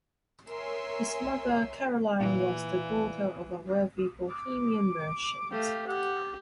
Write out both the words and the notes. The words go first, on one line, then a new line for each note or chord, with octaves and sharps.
His mother, Caroline, was the daughter of a wealthy Bohemian merchant.
A#4 C#5 E5 G#5 C6 E6
A#2 E3
D6
A3 G4 F5
G4 F#5